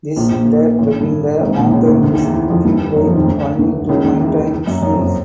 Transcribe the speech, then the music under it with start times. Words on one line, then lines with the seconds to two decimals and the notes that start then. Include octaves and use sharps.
This lake between the mountains is fed by only two mountain streams.
0.16 A#1 A#2
0.32 A#1 A#2
0.78 A1 A2
1.00 G2
1.41 G#1 G#2
1.56 A#1 A#2
1.72 C#2 C#3
1.87 D2 D3
2.03 D2 D3
2.13 D#2 D#3
2.23 E2 E3
2.34 E2 E3
2.50 F2 F3
2.65 G2 G3
2.96 F#2 F#3
3.06 F2 F3
3.17 D#2 D#3
3.28 D2 D3
3.59 D2 D3
3.89 C#2 C#3
4.04 D#2 D#3
4.20 E2 E3
4.67 F#2 F#3
4.82 F#2 F#3
4.93 F2 F3
5.03 F#3